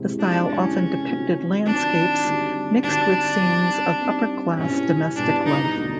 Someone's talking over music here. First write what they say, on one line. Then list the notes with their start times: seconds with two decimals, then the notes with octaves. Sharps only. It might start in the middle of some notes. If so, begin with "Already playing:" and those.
The style often depicted landscapes mixed with scenes of upper-class domestic life.
Already playing: C3 E3 G#3 C4 E4
0.19 D4
0.48 C3 E3 G#3 C4 C#4 E4
1.07 D#3 F#3 A3 C4 F4
1.66 D#3 F#3 A3 C4 D4 F4
2.24 D3 G3 C4 D#4 F#4
2.83 D3 G3 C4 D4 D#4 F#4
3.41 G3 C4 D#4
4.00 G3 C4 D#4
4.58 B2 G3 B3 C#4 E4
5.16 B2 G3 B3 D4 E4
5.46 D#4
5.75 D3 F#3 A3 D4